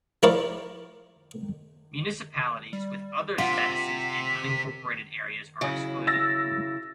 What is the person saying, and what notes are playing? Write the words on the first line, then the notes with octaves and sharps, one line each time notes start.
Municipalities with other statuses and unincorporated areas are excluded.
F3 E4 A#4 C#5 D5 B5
G3
C3 F4 F#5 B6
C#3 F#3 E4
E6 A6 A#6